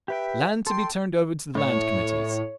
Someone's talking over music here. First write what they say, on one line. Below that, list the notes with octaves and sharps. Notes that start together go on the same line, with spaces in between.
Land to be turned over to the Land Committees.
G4 B4 E5 G5
A4 G5 C6
A2 C#5